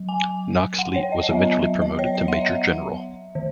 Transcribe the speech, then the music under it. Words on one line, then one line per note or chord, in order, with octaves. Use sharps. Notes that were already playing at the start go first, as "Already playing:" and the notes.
Knox-Leet was eventually promoted to Major General.
Already playing: F#3
G#5
F#5
C#5
D#5
D#5
F#3 B3 E5
D#5
C#5
D#5
F#5
E5
D#3